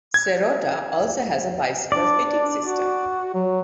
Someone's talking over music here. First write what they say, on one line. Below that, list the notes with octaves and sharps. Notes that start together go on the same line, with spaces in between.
Serotta also has a bicycle-fitting system.
G#6
D4 D5
F#4
F#3